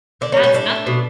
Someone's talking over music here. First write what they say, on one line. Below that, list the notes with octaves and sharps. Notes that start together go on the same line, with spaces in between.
That's nothing.
D3 D4
C#4
G3
C#4
A2 D4
A3
B2